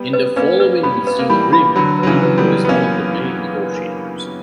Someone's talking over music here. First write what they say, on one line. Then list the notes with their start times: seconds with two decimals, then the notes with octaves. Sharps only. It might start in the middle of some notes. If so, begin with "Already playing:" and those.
In the following Misène agreement, Libo is one of the main negotiators.
Already playing: G3 B3
0.13 B4
0.36 A#3 C#4 B4
0.60 B4
0.83 G3 B3 B5
1.07 B4
1.19 A#3
1.30 E3 G3 B5
1.53 B5
1.76 D3 F#3 B5
1.99 F#3 B4
2.07 C#3 E3
2.22 B4
2.38 G3 B3
2.45 B4
2.65 B3
2.68 A#3 C#4 B4